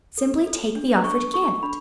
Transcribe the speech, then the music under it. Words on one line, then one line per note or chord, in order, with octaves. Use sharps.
"Simply take the offered gift."
A4
A4
D4
A4 C#6
A4 C#6
D4 B5